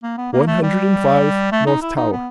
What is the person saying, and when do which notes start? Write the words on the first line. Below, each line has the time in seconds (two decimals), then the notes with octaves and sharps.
"One Hundred and Five, North Tower."
0.03 A#3
0.18 B3
0.33 A#3
0.47 A3
0.62 G3
1.52 A3
1.66 D#4
1.82 E4
1.96 D#4
2.12 B3